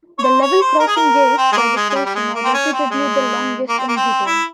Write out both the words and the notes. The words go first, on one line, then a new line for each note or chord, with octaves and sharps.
The level crossing gates by the station are reputedly the longest in Britain.
C#5
C5
C#5
C5
A#4
G#4
A#4
C4
G#3
A#3
G#3
G#3
G3
G3
G#3
A#3
C4
C#4
C4
G#3
A#3
C4
A#3
C4
E4